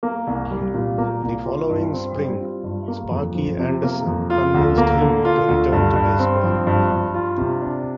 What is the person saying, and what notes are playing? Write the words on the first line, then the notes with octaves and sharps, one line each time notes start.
The following spring, Sparky Anderson convinced him to return to baseball.
A#3
C2
G3
A#2
A#3
C2
F4
G2
C4
G3
F4
G2
A#3
F2
F3
C3
A#3
F2
F4
D2
A#3
D3
F4
D2
G2
G2
C4
F3
G2
G2
F4
C3
D4